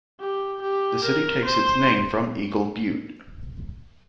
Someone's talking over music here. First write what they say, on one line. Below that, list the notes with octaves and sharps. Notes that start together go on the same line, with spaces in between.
The city takes its name from Eagle Butte.
G4
G4
A#4
C5